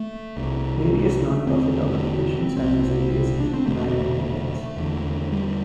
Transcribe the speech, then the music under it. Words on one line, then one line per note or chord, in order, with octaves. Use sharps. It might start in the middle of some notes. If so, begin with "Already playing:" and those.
Various nonprofit organizations have facilities in Marin Headlands.
Already playing: A3
C2 C3
E2 D3 C4
C2 C3 C4
D4
C4
E2 D3 A3
E2
D3
G3